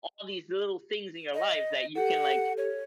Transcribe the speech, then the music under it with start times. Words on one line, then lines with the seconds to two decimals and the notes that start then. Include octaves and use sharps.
all these little things in your life that you can, like,
1.35 D#5
1.96 G4 A4 F#5
2.58 C#5